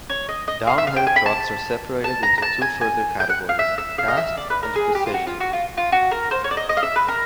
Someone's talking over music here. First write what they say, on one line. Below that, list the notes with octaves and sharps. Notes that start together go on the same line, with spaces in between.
Downhill trucks are separated into two further categories: Cast and Precision.
C#5
D#5
D#5
F5
E5
F5
G5
G#5
B5
A5
A5
A#5
A#5
A5
G#5
G#5
G5
F#5
F5
E5
E5
F5
D#5
E5
D5
B4
A#4
G#4
G4
F4
F#4
F4
F#4
F4
F4
F#4
A#4
C5
C#5
D5
D#5
D#5
F5
E5
B4
A#4